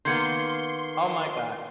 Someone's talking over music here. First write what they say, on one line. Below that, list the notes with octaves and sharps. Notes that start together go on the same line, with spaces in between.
oh my god.
D#3 A#3 B3 C6 G6 G#6 C#7